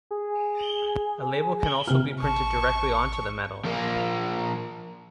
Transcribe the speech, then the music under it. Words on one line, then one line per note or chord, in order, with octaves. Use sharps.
A label can also be printed directly onto the metal.
G#4
C3 F6
A1 A5 C#6
F3 A#3